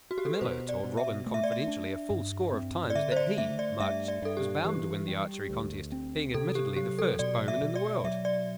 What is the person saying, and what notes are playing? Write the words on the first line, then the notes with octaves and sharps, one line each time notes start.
The miller told Robin confidentially a full score of times that he, Much, was bound to win the archery contest, being admittedly the first bowman in the world.
F#4
G4
A4
B4
B2 C5
D5
B2
E5
A3
E5
D5
E5
D4
G2
C4
D5
D3 E5
C5
D5
A3 E5
D5
G2 E5
D5
G2 A4
G4
E3 G4
G3
D2
C4
C3 A4
G4
F#3 G4
A4
B2 D5
E5
B2
D5
F#3 E5
D5